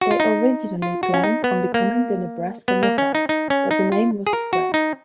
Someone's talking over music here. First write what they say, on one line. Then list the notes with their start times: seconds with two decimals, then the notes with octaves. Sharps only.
They originally planned on becoming the Nebraska Knockout, but the name was scrapped.
0.01 F#4
0.11 F4
0.20 D#4
0.82 F4
1.03 F#4
1.14 C#4
1.24 D#4
1.44 B3
1.74 A#3
2.68 B3
2.83 A#3
2.98 C#4
3.15 D#4
3.29 D#4
3.50 C#4
3.71 D#4
3.92 F4
4.27 G#4
4.33 A#4
4.53 F#4
4.74 D#4